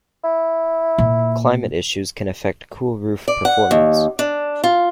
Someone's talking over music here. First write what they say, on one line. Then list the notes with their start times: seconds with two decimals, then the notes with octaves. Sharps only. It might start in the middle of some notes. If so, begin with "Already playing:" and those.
Climate issues can affect cool roof performance.
0.24 E4
0.98 A#2
3.28 D5
3.45 F#5
3.71 D#2
4.19 D4
4.64 F4